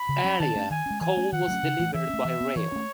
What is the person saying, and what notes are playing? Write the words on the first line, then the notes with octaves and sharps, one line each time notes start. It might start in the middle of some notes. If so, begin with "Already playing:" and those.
Earlier, coal was delivered by rail.
Already playing: B5
C#3
F#3 C#4
D#3 A5
A3 C#4
D#3 G#5
G#3 C#4
E3 G#5
A3 C#4
D#3 F#5
F#3 A3 C#4
C#3
E3 A3
E3 E5
A3 C#4
E3
B3
E3 C#5
A3 C#4